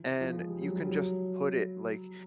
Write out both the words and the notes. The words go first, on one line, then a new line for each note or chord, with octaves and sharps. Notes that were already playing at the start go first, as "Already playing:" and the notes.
and you can just put it, like,
Already playing: E3
F3
G#3
G3
F#3
G3
F#3